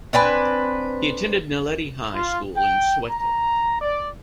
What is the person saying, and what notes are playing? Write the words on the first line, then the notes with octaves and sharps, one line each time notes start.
He attended Naledi High School in Soweto.
C4 D4 B4 G#5
F4
G5
A#5
D5